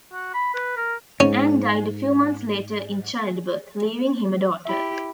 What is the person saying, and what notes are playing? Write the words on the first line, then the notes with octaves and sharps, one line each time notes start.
Anne died a few months later in childbirth, leaving him a daughter.
F#4
B5
B4
A#4
G#2 C#4
E4 G4 E5 B5